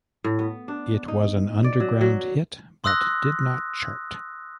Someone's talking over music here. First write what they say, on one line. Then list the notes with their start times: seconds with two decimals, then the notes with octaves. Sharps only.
It was an underground hit, but did not chart.
0.24 A2
0.39 B3
0.68 D4
1.08 D#4
1.64 D5
1.80 F#3
2.01 F#3
2.84 C6 D#6 E6 F#6 A#6